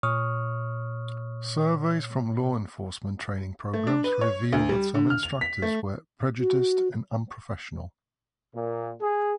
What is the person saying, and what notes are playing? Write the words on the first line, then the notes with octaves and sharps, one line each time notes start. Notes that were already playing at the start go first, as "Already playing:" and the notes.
Surveys from law enforcement training programs reveal that some instructors were prejudiced and unprofessional.
A#2 C#5 C#6 D#6 F6
A3
D4
B4
C#5
D2
G3
D3
F6
F7
B6
A3
F#4
A#2
G#4